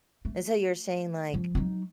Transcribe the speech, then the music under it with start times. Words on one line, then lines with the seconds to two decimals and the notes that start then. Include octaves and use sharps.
And so you're saying, like
0.25 A3
1.34 F3
1.55 F#3 D#4